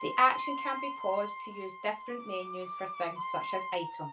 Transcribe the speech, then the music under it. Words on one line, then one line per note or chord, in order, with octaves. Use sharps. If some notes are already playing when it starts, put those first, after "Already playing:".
The action can be paused to use different menus for things such as item.
Already playing: C6
C6
C6
D6
D6
C6
A#5